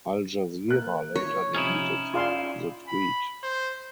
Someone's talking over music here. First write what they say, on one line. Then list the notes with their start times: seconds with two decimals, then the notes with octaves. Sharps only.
Al Jazeera later deleted the tweet.
0.68 A#3 F#6
1.16 C#5
1.54 C3 F3 C#4 D#4 E4
2.14 F4 G#4 D5 F5 G5 C6
2.89 B5
3.43 C5